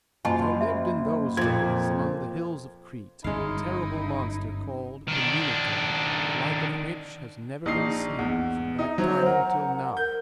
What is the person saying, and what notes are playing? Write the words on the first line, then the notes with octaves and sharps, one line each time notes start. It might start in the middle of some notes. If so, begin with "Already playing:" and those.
There lived in those days among the hills of Crete a terrible monster called the Minotaur, the like of which has never been seen from that time until now.
F#1 F4 G#5 A5 C6
E5
F2 A#2 F3 G#6
G1 F#2 G#3 C#4 D#4 E4 F5
D#3 D4
A#1 D#4 C7
E2
D#4 E5
F#3 C5
A#4 F#5
A#4 G6